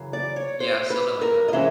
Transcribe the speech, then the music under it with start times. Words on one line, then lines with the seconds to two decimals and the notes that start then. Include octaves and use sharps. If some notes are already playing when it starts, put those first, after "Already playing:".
Yeah, something like that.
Already playing: F#2 C#3 E3
0.13 D5
0.36 C#5
0.60 C5
0.90 B4
1.21 A#4
1.48 D#5
1.53 C3 E3 G#3 C#4 E5